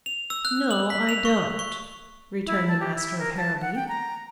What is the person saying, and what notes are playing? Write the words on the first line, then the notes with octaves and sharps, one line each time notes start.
"No, I don't," returned the master of Harrowby.
F7
E6
F#6
F#7
B6
F7
C#6
C#6
E4
A5
G4
E4
A#4
A5
F#5
G5
A#5